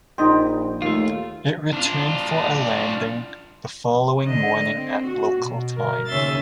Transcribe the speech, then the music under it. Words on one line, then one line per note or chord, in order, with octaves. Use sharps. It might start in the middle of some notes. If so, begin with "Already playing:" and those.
It returned for a landing the following morning at local time.
A#1 D#4 D#5 G5 C6
D#2 A3 F4
D4 F4
D3 D#5
C4
F#4
B2
A#4
D#2 C#3 C#4 E5 C6 A6